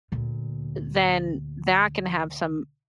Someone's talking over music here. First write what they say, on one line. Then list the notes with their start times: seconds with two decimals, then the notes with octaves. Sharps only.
then that can have some
0.12 D2 A#2